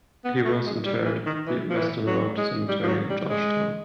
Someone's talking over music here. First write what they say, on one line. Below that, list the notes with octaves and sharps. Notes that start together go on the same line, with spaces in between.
He was interred at the Western Road Cemetery in George Town.
B3
A3
G#3
G3
E3
D#3
E3
F3
E3
F#3
G#3
G3
F3
F#3
G3
G#3